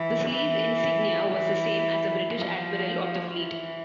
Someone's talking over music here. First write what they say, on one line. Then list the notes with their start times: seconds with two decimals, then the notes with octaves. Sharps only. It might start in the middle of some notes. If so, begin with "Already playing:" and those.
The sleeve insignia was the same as a British Admiral of the Fleet.
Already playing: E3
0.32 E3
1.32 E3
2.32 F3
3.32 E3